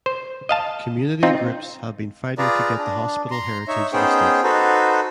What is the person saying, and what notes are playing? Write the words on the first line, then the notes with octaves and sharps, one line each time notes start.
Community groups have been fighting to get the hospital heritage listed.
C5
D#5 F5 A5
C4 D#4 F4
F4 G#4 B4 D5 A#5
D4
A#5 C6
D#4 C#5 E5
B3 C#4 D#4 G#4 C5 G5
D#4 F#4 A4 B4 C5